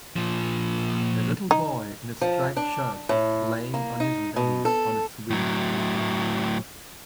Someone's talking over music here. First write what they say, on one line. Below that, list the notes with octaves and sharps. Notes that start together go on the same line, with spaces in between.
A little boy in a striped shirt laying on his belly on a swing.
A#2 F3
D#4
F3
D4
A2
A#3
D#4
B2
A4
A2 F#3